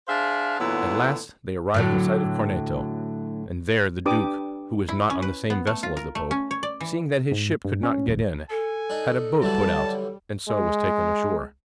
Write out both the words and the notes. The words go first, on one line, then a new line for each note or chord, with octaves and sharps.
At last they arrived in sight of Corneto, and there the duke, who was not on the same vessel as the pope, seeing that his ship could not get in, had a boat put out, and so was taken ashore.
D4 G#4 C5 E5 F5
A#2 D3 E3 F#3 B3 E4
A2 D3 F#3
D4 G4 B4 D6 D#6
E4
C#4
B4
B3
A3
F4
A#4
A3
C#4
C#5
D5
E3
G#2
G2
C#4
D#1
A4 G#5
D4 D#4
D3 E3 F#3 G3 A5
G#3